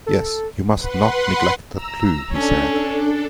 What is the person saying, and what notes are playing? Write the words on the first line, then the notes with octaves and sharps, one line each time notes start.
"Yes, you must not neglect that clue," he said.
A4
B4 F#5 C6
A#5 E6
C#4 D4 A4